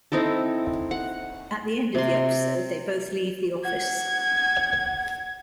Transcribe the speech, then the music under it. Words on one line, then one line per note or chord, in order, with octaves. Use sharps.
At the end of the episode, they both leave the office.
C4 D#4 E4 A4
F#5
C3 C6
F#5 G#6